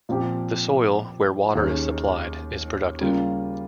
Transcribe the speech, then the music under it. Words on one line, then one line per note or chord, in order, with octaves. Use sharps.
The soil, where water is supplied, is productive.
A#2 F3 C4 G4
D#2 D#3 G#3 C#4
C#3 G3 A#3 F4